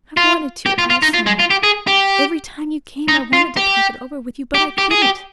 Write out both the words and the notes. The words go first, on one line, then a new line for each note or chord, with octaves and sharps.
I've wanted to all summer--every time you came. I wanted to talk it over with you--but I COULDN'T.
F4
G4
F4
F4
D#4
F4
G#3
F4
G4
G#4
G4
D#4
F4
G4
G4
G4
G#4
G4